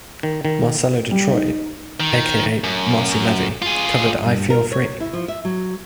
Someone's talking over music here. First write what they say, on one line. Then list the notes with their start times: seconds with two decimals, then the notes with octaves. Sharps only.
Marcella Detroit, aka Marcy Levy, covered "I Feel Free".
0.23 D#3
0.45 D#3
1.11 G3
1.31 D#4
2.00 D#3
2.64 F#2
3.62 F4 G#4
4.25 G2
4.50 A#4
4.72 C#5
5.00 E4
5.13 F3
5.28 E5
5.45 F#3